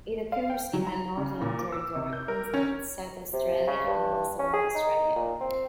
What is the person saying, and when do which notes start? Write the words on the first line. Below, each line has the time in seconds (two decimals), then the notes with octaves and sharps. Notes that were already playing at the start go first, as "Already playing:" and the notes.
It occurs in the Northern Territory, Queensland, South Australia, and Western Australia.
0.32 F5
0.50 G5
0.73 F#3
0.87 A#5
1.17 C#3
1.41 A#2
1.59 D6
1.72 E6
1.96 C3
2.13 G6
2.28 A#4
2.54 C#4
3.33 C3
3.67 C#3
3.87 G2
4.39 C#4
4.54 G#4
4.75 D#4
5.16 A#2
5.41 C4